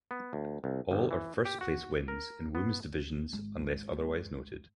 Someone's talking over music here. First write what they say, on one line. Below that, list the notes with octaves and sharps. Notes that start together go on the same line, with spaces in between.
All are first-place wins, in women's divisions, unless otherwise noted.
B3
D2
C2
G1
E3
G4
F#4
A#4
B3
G#1